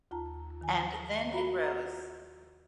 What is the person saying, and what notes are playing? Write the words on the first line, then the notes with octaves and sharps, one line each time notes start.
And then it rose.
D#2 F4 A5 A#5
D#3 G#5
F4 F#4 E5 A#5 B5
F#5 A#5